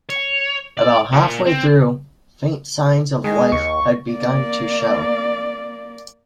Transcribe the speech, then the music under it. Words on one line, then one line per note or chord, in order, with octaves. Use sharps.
About half-way through, faint signs of life had begun to show.
C#5
D5
A#2
C4
D#3 G#3 D#5
D#2 C#6
A#3 D5